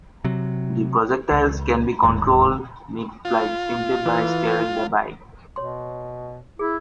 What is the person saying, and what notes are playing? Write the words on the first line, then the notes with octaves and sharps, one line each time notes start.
The projectiles can be controlled mid-flight simply by steering the bike.
C3 F#3
C#2
D1 D#2 G#2
F4
E3
B2 C#5 C6
E4 G#4